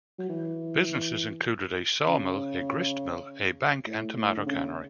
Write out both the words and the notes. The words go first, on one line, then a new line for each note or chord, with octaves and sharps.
Businesses included a sawmill, a gristmill, a bank and tomato cannery.
F#3
E3
C#3
A2
A2
D3
C#3